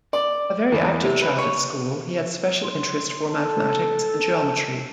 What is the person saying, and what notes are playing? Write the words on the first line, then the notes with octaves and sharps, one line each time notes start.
A very active child at school, he had special interest for mathematics and geometry.
D5
E2
C3
B4
C#5
C6
A4